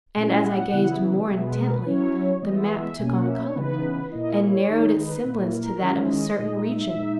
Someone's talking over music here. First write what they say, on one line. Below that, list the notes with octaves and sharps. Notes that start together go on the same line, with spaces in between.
And as I gazed more intently the map took on color, and narrowed its semblance to that of a certain region.
A#2 G#3 C#4 E4 G#5
F#5
C#3 E3 B3 E4
B2 G#3 B3 E5
B4
A#4
B4
F#3 C#4 E4 C#5
E3 G#3 B3 D#5
E5
E5
B2 A#3 C#4 G#5
F#5
E5
C#5
C#3 E3 B3 D#4 B4
A#2 A#3 E4 D#5
C#5
D#3 G#3 D#4
B4
A#2 A#3 E4
A#4
D#3 G#3 C#4 E4
D#5
A#2 G#3 D#4
E5
E5
A#2 G#3 D#4